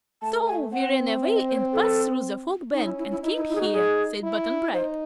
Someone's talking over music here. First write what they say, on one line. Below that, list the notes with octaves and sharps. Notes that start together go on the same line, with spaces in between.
"So we ran away and passed through the Fog Bank and came here," said Button-Bright.
A3 A5
G#5
C4 F#5
E5
D#5
C5
C#5
C5
A4
C#4 D#4
E4
E4
E4
D#4 E4
E4
E4
G#4
F#4
G#4
E4
D#4 C5